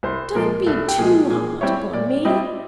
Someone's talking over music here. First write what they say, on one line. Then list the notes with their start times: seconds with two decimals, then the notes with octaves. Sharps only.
'Don't be too hard upon me.
0.03 C2 C5
0.35 A#2 F3 G#3 A#4
0.66 C2 A4
0.88 G4
0.98 A#2 F3 G#3 G#4
1.30 A#2 G#4
1.61 G3 C4 E4 C#5
1.93 A#2 D5
2.25 G3 C4 E4 D#5